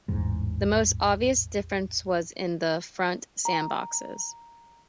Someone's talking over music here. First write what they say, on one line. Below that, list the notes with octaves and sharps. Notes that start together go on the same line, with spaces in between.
The most obvious difference was in the front sandboxes.
A1 E2 G#2
A#5